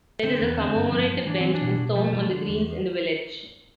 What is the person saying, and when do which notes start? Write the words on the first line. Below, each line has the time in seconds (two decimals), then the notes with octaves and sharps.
There is a commemorative bench and stone on the greens in the village.
0.23 D3 C4
0.35 C4
0.41 E2
0.46 B3
0.58 D3 C4
0.75 G2
0.92 F3
1.09 F3
1.27 E3 D4
1.41 E3 C4
1.55 D4
1.61 B2
1.78 B2
1.95 F3 G3
2.04 A3
2.13 F3 G3
2.22 A3
2.30 D3
2.47 E2